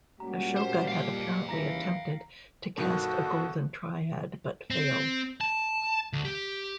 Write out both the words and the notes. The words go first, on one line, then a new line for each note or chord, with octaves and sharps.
Ashoka had apparently attempted to cast a golden triad but failed.
A#2 G3 G#3 C#4 F#4 G4 A#5
C5
F5 G5
D#2 C#3 E3 A#5 A#6 B6
G2 B2 D#3 F#4 A4
C4
A5
D2
G4